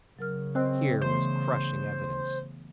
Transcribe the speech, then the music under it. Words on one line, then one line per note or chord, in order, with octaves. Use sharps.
Here was crushing evidence.
C#3 F#3 A#4 F6
C4 C5 D#5 F#6
E3 A3 B3 C5